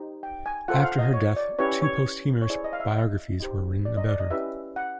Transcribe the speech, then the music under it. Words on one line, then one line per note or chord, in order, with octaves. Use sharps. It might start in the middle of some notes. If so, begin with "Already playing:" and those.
After her death, two posthumous biographies were written about her.
Already playing: D#4 G4 C5
G5
G#5
F4 A4 C5 F#5
F#5
F5
D#5
C#5
D5
C#4 E4 G4 B4 C#5
C#5
C#5
E4 G#4 C5 D5
D#5
F5
E5
D#5
D#4 G4 C5
D5
D#5
D5
D#5
C#4 E4 G4 B4 E5
F#5